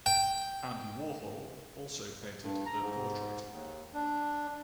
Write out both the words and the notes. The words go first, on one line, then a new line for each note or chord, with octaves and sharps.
Andy Warhol also painted her portrait.
G5
G2
A#5
G#2
D#2
D4